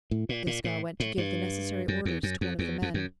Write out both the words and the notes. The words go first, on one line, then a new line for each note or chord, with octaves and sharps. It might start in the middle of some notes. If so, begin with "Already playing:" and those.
Desgas went to give the necessary orders to one of the men.
A2
A#2
A#2
A2
A2
G2
F#2
E2
F#2
F2
E2
F2
F#2